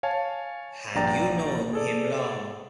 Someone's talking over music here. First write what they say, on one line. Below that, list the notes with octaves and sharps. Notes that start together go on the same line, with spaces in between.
Had you known him long?
C#5 F5 G#5 A5
A#1 G2 D5 G5 A#5 A6
G#4 A4 D5